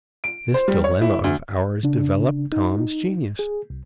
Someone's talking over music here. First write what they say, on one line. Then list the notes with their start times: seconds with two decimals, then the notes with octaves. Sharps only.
This dilemma of ours developed Tom's genius.
0.24 D7
0.54 C5
0.68 G3
0.84 C#5
1.02 E4
1.24 D2
1.83 C#3 D4
2.52 D#4
3.39 G#4
3.70 C2